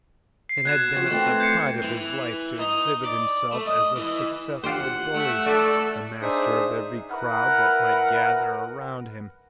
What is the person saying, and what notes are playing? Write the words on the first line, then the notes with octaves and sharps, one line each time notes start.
It had been the pride of his life to exhibit himself as a successful bully--the master of every crowd that might gather around him.
C7
B2 F#6 G#6 E7
F3 F#4
E3 A3 C4
G6 C7 C#7
E3
D#4
D5
A3
D#5
E3
F4 G4 C5 F#5
A3 E5
F#4 A4 D5
D4 D#4 G#4 C5 E5 D#6
E4 A#4 B4 F#5